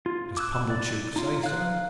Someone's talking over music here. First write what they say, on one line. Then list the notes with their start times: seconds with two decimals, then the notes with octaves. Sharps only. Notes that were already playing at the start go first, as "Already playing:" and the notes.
"Does Pumblechook say so?"
0.06 F4
0.37 D6 E6 F#6
0.70 D5
1.16 D#4 F4
1.43 F5 F#6